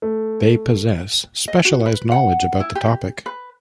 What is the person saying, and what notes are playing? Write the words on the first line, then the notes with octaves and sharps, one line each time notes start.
They possess specialized knowledge about the topic.
A3
D#5
F#4
B4
F#5
E4
G4
B4